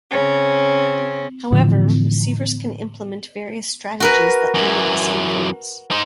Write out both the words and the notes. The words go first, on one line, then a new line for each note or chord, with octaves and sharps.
However, receivers can implement various strategies that limit this influence.
C#3 C4 C#4
A2 D3 E3 F3
F#4 A#4 B4
F#2 E3
D#4 C5